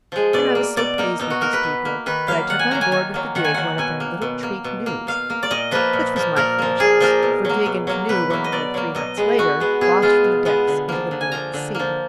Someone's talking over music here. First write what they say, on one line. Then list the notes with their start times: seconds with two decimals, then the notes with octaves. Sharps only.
And I was so pleased with these people, that I took on board with the gig one of their little tree-canoes: which was my foolishness: for gig and canoe were only three nights later washed from the decks into the middle of the sea.
0.12 F3 G#3
0.33 B2 D5
0.55 A#3
0.76 B2 D5
0.98 A#3 D#4
1.19 B2 D#4
1.30 F#4
1.41 A#3 A#4
1.53 B4
1.63 B2
1.85 A#3
2.06 D#3 B4
2.27 F#3 A#3 F5
2.49 D#3 F#5
2.59 G#5
2.71 F#3 A#3 A#5
2.81 G#5
2.91 D#3 G#5
3.14 F#3 A#3
3.35 D#3 F#5
3.44 G#5
3.54 F#3 A#3 F#5
3.78 B2 G#5
4.00 A#3
4.22 B2
4.43 A#3
4.64 B2
4.86 A#3
5.07 B2 F5
5.30 A#3
5.43 D5
5.50 A#2 D#5
5.71 F3 A#3 B4
5.93 A#2
6.16 F3 A#3
6.36 A#2 A#4
6.59 F3 A#3
6.79 A#2 G#4
7.00 F3 A#3 A#4
7.23 B2
7.45 F#3 A#3
7.66 B2
7.87 F#3 A#3
8.09 B2 B4
8.30 F#3 A#3
8.44 D#5
8.52 B2 D5
8.74 F#3 A#3
8.95 B2 D#5
9.17 G#3 B3
9.38 B2 F#4
9.60 G#3 B3
9.81 B2 G#4
10.02 G#3 B3 F4
10.24 B2
10.45 G#3 B3
10.67 D3
10.89 F3 A#3
11.11 D3
11.21 G#5
11.32 F3 A#3 A#5
11.54 D3
11.75 F3 A#3